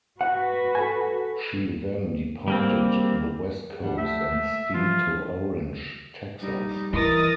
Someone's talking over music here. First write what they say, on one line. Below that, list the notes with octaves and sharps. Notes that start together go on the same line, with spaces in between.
She then departed the west coast and steamed to Orange, Texas.
F#4 B4 F#5
A4 G#5
G3 A#3 C4
G3 D4 F#5
A3 E5
A3
E3 F3 F4
G3 D#4
E3 A#4 D#5 D#6 A6